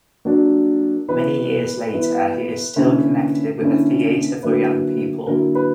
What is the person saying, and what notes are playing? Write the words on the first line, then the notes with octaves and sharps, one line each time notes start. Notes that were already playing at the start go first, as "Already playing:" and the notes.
Many years later, he is still connected with the Theatre for Young People.
F#3 A#3 D4
E3 B3 E4 B4
E3 B3 E4
D3 A#3 C#4 E4
D3 A#3 C#4 E4
D3 F#3 A#3 E4 B4
D3 F#3 A#3 E4 A#4
B4